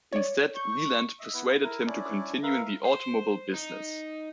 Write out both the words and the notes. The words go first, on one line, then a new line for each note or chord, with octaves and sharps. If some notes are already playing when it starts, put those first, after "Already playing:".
Instead, Leland persuaded them to continue in the automobile business.
C#5 D5
C#6 G6
D#5 E5
B3 E4 B4
E4 A#4
C#4 D4 E4 D5
A#4 B4 E5 F5
C5
D#4